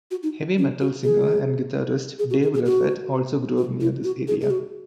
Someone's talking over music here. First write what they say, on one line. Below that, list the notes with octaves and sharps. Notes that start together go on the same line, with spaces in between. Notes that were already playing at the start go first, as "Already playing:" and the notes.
Heavy metal singer and guitarist Dave Reffett also grew up near this area.
F#4
D#4
C#4
F#4
G#4
G#4
F#4
G#4
G#4
F#4
F#4
E4
F#4
G#4
G#4
F#4